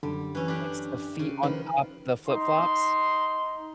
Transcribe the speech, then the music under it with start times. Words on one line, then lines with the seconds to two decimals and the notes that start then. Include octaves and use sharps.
like, the feet on top of the flip flops?
0.03 F#2 D3 G3
0.35 E3 C#4
0.48 D4 G4
1.19 C#3
1.43 D#3 F3 D#4 B4
2.27 D#4 C6